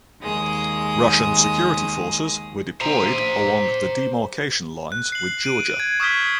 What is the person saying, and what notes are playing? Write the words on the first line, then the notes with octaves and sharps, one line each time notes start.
Russian security forces were deployed along the demarcation lines with Georgia.
D#2 G#3 D#6
C5 A#5
F#6
C7 F#7
D7 D#7
G#6
C#6 D#6 F6 G6 B6 G7